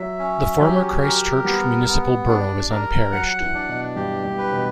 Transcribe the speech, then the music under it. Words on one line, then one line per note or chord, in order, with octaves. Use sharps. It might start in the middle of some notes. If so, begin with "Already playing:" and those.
The former Christchurch Municipal Borough is unparished.
Already playing: F#3 E5
C#4
F#3 G4
A#4
G3 B3
B3
D4
A#4
F#3 F#5
E3
D4
B2
G2 G4
G2
B4
B2